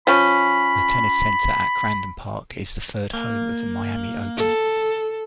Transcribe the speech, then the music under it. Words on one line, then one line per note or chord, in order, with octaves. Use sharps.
The Tennis Center at Crandon Park is the third home of the Miami Open.
F3 C#4 B5
A#3
A4